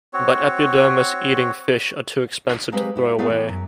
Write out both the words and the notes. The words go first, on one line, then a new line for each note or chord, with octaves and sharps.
But epidermis-eating fish are too expensive to throw away.
C4 F#4 C#5
F#3 G#3 A#3 C4 G4 B4
E4 F#4
A3 B3 G#4 A#4 D5 E5
E3
F#2